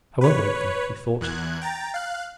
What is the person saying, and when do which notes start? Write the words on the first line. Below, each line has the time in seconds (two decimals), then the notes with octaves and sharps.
'I won't wake them,' he thought.
0.21 B4 C#5
1.21 E2 F#6 G#6
1.61 G5 A#5 A6
1.94 F5 F#6